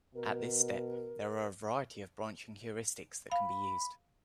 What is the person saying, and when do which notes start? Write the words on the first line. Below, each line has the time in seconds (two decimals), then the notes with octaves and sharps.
At this step, there are a variety of branching heuristics that can be used.
0.15 B2 A#4
3.32 F5 B5